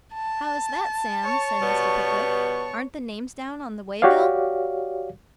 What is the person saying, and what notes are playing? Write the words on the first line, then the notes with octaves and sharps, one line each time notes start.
'How is that, Sam?' said Mr. Pickwick; 'aren't the names down on the way-bill?'
A5
C#5 C#6
B2 G3 B3
F#4 G4 C#5 D5 F5